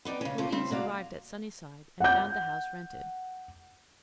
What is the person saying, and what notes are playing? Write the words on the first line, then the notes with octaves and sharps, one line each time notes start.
Louise arrived at Sunnyside and found the house rented.
B3 D#4 D5 G5
C#3 C#4
A3 A#3 C4 C#4 F4
C#3 G3 C4
A#3 F#4 D5 F5
F#5 G6